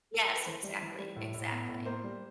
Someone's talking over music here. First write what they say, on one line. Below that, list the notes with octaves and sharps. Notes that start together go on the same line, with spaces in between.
yes, exactly. Exactly.
A4
A#4
B4
E3 C5
G3
E3
G3
A2
A2
B3
A2
A#3 C5
G3